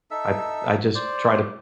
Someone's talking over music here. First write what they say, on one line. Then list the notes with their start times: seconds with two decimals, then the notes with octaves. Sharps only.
I I just try to
0.11 D#4 A4 E5 E6
0.95 C5 D5